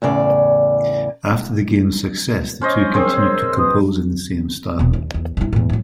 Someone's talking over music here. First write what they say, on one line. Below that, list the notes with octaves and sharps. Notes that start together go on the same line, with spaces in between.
After the game's success, the two continued to compose in the same style.
E2 A2 C#3 D5
C#4 C5 C#5 D#5
C4 G#4 A#4 C5 C#5 E6
B4 D#6
E1 C3
D#2
E2
G2 E4
E2 A2
A2 F#3